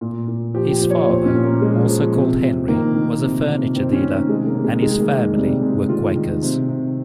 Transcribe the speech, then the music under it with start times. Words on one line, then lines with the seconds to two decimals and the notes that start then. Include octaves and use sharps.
His father, also called Henry, was a furniture dealer, and his family were Quakers.
0.01 A#2
0.28 A#2
0.54 F3 G4
0.72 G4
0.81 F3
0.90 C#5
1.08 A#2 C5
1.26 C#4
1.35 A#2
1.44 A#3
1.61 F3 G#3
1.88 F3
2.15 C3
2.42 C3
2.68 D#3 A#3
2.95 D#3
3.21 C3
3.49 C3
3.75 D#3 C4
3.93 C#4
4.02 D#3
4.11 A#3
4.29 C3 G#3
4.47 A#3
4.55 C3
4.64 G#3
4.82 D#3 G#3
5.00 A#3
5.09 D#3
5.18 G#3
5.36 C3 G3
5.62 C3 G#3
5.89 D#3 F4
6.16 D#3
6.42 C3
6.69 C3